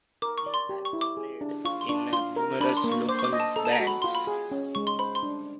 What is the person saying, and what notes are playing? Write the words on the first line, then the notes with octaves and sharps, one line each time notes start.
He has played in numerous local bands.
A#4 D6
C#6
D5
C6
G4
C#6
E4
D6
G#4
D4
F4 C#6
C6
D4 C#6
F4 C6
A#4
D4 B5
C6
A#3
C#6
C5 D6
C#6
D6
D#5
A5
A4 A#5
A5
A#5
F#4
B5
F4 C6
B5
G#4
C#4
G#3 C#6
C6
C5 B5
C6
D4